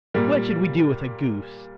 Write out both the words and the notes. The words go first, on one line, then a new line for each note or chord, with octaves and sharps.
What should we do with a goose?
A#2 G3 A#3